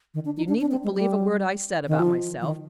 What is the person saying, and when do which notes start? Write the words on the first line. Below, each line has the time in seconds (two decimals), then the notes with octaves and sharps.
You needn't believe a word I said about myself.
0.14 D#3
0.25 D4
0.37 D#4
0.48 D4
0.61 D4
0.71 C4
0.84 G#3
0.95 G3
1.87 D#3
1.99 F3
2.41 F3
2.46 D#3